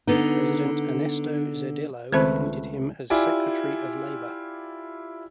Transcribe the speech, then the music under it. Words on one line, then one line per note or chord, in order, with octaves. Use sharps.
President Ernesto Zedillo appointed him as Secretary of Labor.
D3 B3 D#4
C#2 D#3 A3 C4 B4 C5
E4 F4 G4 D5 G#5